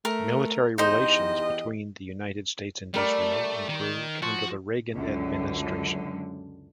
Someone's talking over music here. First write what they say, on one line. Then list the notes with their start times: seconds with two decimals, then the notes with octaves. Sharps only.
Military relations between the United States and Israel improved under the Reagan Administration.
0.05 A3 A#4
0.78 E2 D#4 G4 C5 D#5
2.94 G3 A3 A#4 D5
3.69 D#3
4.22 F3 F#4
4.93 C#2 F#2 D3